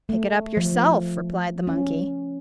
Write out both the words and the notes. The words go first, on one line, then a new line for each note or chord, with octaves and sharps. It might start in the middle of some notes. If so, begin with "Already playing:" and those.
"Pick it up yourself," replied the monkey.
A3
F3
C#4